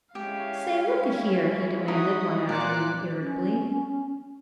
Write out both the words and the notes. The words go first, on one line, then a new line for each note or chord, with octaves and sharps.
"Say, look a-here," he demanded one afternoon, irritably.
G#3 C#4 E4 G4 F5
D#4 F#4 D#6
A#2 D5 D6 F#6
C#4